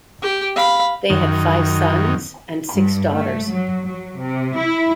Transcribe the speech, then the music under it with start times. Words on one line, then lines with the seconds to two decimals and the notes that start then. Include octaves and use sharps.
They had five sons and six daughters.
0.22 G4 G5
0.56 F5 B5
1.10 F#2 D#3
2.73 G2
3.11 A3
3.51 F#3
3.87 F#3
4.19 C3
4.57 E4